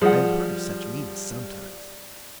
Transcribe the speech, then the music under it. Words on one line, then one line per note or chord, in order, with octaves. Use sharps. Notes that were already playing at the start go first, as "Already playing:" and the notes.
I have heard of such means sometimes.
F3 G3 G#4 F#5